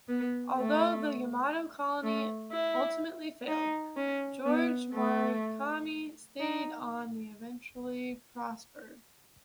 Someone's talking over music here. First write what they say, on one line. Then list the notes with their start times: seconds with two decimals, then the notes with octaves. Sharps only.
Although the Yamato Colony ultimately failed, George Morikami stayed on and eventually prospered.
0.09 B3
0.58 A3
2.03 A3
2.52 E4
3.48 D#4
3.97 C#4
4.46 B3
4.94 A3
6.39 D#4